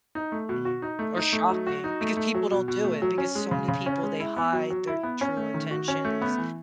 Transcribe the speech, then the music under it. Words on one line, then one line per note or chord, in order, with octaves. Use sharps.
Mhm. Or shocking because people don't do it because so many people, they hide their true intentions.
D#4
A3
B2
F#4
D#4
A3
D#4
A3
F#3
F#4
D#4
A3
A3
F#3
B2
B2
A3
F#3
C#4
G#3
C#3
C#3
C#4
G#3
E4
B3
F#3
F#3
E4
B3
C#4
A3
D#3
F#4
C#4
A3
B3
E3